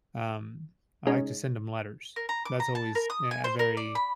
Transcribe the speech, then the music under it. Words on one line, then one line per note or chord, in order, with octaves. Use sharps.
um, I like to send 'em letters. That's always, eh, a very
G#3 C#4 D#4
A#4
A#5
D6
A#5
A5
A#4
D#6
G#5
C5
A#4
D5
B5